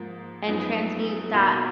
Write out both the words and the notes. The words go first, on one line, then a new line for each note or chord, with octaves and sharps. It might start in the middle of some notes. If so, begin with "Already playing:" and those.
and transmute that
Already playing: G#2 F3 A#3
F#2 F3 G#3 B3 D#4
B2 A#3 D#4 F#4 A#4